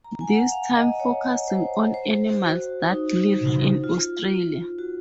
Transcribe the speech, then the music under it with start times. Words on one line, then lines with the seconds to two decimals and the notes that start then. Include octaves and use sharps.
This time focusing on animals that live in Australia.
0.04 A#5
0.21 G#5
0.29 F#5
0.52 F5
0.75 D#5
1.00 C#5
1.48 C5
1.94 C5
2.42 F#4
2.89 D#4
3.84 F4
4.78 F#4